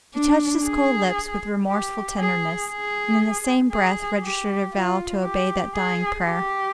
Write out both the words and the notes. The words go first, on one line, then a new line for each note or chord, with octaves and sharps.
She touched his cold lips with remorseful tenderness, and in the same breath registered a vow to obey that dying prayer.
D4
G#4
G4
G#4
G#4
G#4
G4
F4
G4
G#4
G4